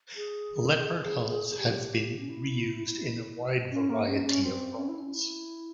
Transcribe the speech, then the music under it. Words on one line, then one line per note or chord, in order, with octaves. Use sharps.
Leopard hulls have been re-used in a wide variety of roles.
G#4
G#4
G4
C#4
E4
C#4
A#3
C#4
C#4
C4
C#4
E4
C#4
E4